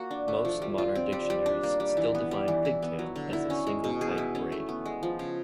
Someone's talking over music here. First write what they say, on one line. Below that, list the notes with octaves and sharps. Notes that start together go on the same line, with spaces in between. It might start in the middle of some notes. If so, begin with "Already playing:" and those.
Most modern dictionaries still define "pigtail" as a single tight braid.
Already playing: A#3 F#4
D4
A3
F3
G3
F4
C4
G3
G3
D4
A#3
G3
E3
B3
G3
E3
E4
B3
F#3
D3
E4
C#4
G#3
B2
G#4
E4
C#4
A3
B3
G#3
F3
C#3